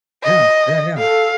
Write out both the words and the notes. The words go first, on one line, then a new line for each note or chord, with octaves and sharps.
Yeah. Yeah, yeah.
D#5
A4 F5